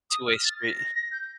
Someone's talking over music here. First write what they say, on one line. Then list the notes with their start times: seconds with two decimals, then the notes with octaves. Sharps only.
two way street.
0.10 D#6
0.27 F6
0.45 A6
0.61 A#6
0.78 A#6
0.95 A#6
1.12 G6